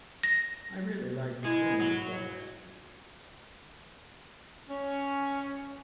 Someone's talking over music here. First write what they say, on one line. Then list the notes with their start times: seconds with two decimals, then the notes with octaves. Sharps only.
I really liked the film we saw last week.
0.23 A#6
1.45 G#3 E4
1.80 F#3
4.69 C#4